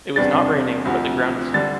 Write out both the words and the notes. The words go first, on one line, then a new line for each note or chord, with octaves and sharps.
It was not raining, but the ground was humid.
E2 C3 G3 D4 A6
D2 C3 F3
D3 G3 D4 A6